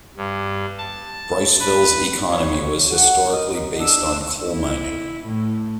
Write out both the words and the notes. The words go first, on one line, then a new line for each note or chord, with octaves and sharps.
Briceville's economy was historically based on coal mining.
G2
A5
B4
C#5
F#4 F#5
A#4 D#5
D4 E6
E4
A2